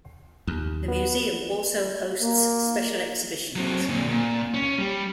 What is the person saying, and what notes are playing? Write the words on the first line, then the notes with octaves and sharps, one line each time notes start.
The museum also hosts special exhibitions.
D#2
B3
A#3
F#3 C4
A#2 D3
A#2
C#4
G3